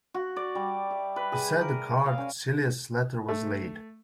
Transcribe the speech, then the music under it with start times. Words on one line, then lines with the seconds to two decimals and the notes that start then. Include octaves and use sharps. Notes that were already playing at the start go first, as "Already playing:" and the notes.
Beside the card Celia's letter was laid.
0.14 F#4
0.36 D5
0.55 G3
0.91 E5
1.16 B4
1.32 G#4
1.61 A#4
2.06 F5
2.18 C#4
3.29 A3